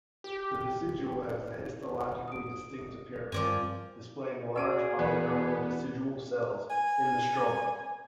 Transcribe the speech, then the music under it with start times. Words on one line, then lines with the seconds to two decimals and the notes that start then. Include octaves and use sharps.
The decidua has a histologically-distinct appearance, displaying large polygonal decidual cells in the stroma.
0.24 G4
2.28 D#6 D7
3.32 G2 F3 G3 C4 A#4 D5 G#5
4.56 C#4 F#4 G#4 D5 E6 D7 D#7
4.99 E2 B3
6.70 G#5